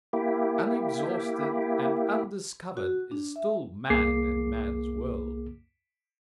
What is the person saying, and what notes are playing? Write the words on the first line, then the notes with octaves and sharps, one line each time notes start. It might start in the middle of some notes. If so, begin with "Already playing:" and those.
Unexhausted and undiscovered is still man and man's world.
A#3 E4 G4
F#4
D4
E5
C2 A#3 G#4 D6 C7